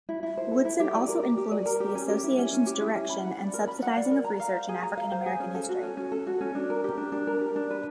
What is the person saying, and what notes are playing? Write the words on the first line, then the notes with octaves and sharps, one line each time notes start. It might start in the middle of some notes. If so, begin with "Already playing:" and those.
Woodson also influenced the Association's direction and subsidizing of research in African-American history.
E4
E4
C5
A4
E4
G4
D5
A#4
G4
G4
D5
A#4
G4
C#4
G4
E4
C#4
C#4
G4
E4
C#4
B5
F#5
D5
A#4
B5
F#5
D5
A#4
A#5
F5
C5
G#4
A#5
F5
C5
G#4
C#4
A4
F#4
C#4
C#4
A4
F#4
C#4
D4
A#4
G4
D4
D4
A#4
G4
D4
B4